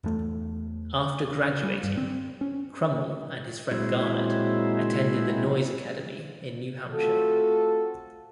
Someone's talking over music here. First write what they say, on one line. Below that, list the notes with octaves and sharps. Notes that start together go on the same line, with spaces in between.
After graduating, Crummell and his friend Garnet attended the Noyes Academy in New Hampshire.
E2 A3
G3
G2
C4
C#4
A#2 F#3 G#3 C4 E4
A3 C4 F4 F#4 A4